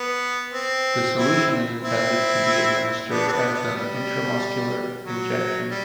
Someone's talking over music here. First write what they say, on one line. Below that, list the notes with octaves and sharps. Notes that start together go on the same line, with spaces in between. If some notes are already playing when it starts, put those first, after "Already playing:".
The solution is intended to be administered as an intramuscular injection.
Already playing: B3
C4
C4 E4
C4 E4
B3 D4
C4
B3 D4
B3
G3
F#3
G3